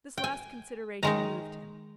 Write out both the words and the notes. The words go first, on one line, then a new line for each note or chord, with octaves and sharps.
This last consideration moved him.
G5
G#5
D#3 G#3 D#4 A#5